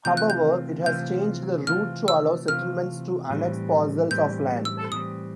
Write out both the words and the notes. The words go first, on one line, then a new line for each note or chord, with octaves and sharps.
However, it has changed the route to allow settlements to annex parcels of land.
C3 E3 A3 C4 F4 G6
F#6
G6
C3 E3 A3 C4 F4 G6
C3 E3 A3 C4 F4 F6
E6
C3 E3 A3 C4 F4 F6
A2 E3 G3 C4
A2 E3 G3 C4 G6
E6
A2 E3 G3 C4 D#6